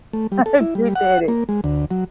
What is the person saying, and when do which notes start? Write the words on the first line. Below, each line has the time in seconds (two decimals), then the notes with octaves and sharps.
I appreciate it.
0.13 A3
0.32 G3
0.46 A4
0.61 E4
0.75 G3
0.95 F#5
1.28 A#3
1.49 G#3
1.64 D2
1.91 F#3